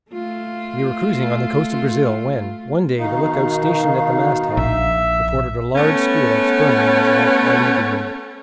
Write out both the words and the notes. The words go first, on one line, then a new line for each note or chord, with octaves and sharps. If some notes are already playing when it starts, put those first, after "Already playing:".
We were cruising on the coast of Brazil when, one day, the lookout, stationed at the masthead, reported a large school of sperm-whales off our lee-beam.
A3 F4
B2 D#3 D#4 F5
A#1 E5
A3 B3 C#4